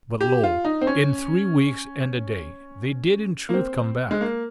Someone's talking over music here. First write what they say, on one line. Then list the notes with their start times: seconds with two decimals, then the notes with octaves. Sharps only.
But lo! in three weeks and a day, they did in truth come back.
0.21 G4
0.44 F4
0.65 D#4
0.81 C4
0.87 C#4
3.49 A#3
3.54 C4
4.11 G#3
4.21 A#3